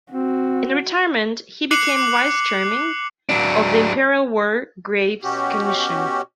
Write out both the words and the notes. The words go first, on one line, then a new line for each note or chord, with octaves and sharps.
In retirement he became Vice Chairman of the Imperial War Graves Commission.
C4 F#4
D6 F#6 C7 C#7 F#7
F#3 D4
B2 C#4 F#4 G4